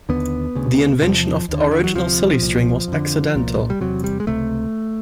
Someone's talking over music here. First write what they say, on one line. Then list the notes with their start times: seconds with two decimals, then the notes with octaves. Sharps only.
The invention of the original silly string was accidental.
0.09 D#2 D3 B3
0.55 D2 C#3
1.02 E2 C3 F3
1.49 D#2 D3
1.60 D#3
1.71 D3
1.84 F#3
1.95 D2 C3 F3
2.42 C2 A#2
2.88 F2 D3
3.35 C2 A#2
3.70 G3
3.81 E2 C3 F#3
4.04 G3
4.20 G#3
4.27 C#2 C3 A3